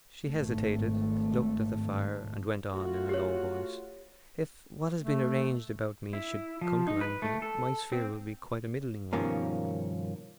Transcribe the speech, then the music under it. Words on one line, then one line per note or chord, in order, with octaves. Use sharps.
She hesitated, looked at the fire, and went on in a low voice: "If what has been arranged about me should come to anything, my sphere will be quite a middling one."
G#1 A3
A3 F4 F#4
G4 C#5
A3
E4
F3
D#4
B4
A3
A4
C4
G2 B2 D#3 F3 A#3 C#4